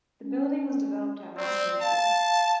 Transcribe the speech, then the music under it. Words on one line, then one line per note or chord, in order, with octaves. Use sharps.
The building was developed by Mass Mutual.
C#4
C4 D5
F5 A5